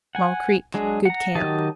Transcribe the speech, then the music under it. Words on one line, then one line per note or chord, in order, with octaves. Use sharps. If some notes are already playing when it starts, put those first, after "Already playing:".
Small Creek.--Good camp.
F#5 G#5
F#3 G#3 D4 G#4
F#5 A#5
D#3 F#3 G4 D#5 A5